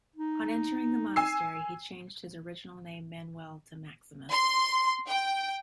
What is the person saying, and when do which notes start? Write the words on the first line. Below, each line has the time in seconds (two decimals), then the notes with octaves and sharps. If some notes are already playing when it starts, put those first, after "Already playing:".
On entering the monastery he changed his original name Manuel to Maximus.
0.16 D#4
1.16 G#5 E6 C7
4.32 C6
5.08 G5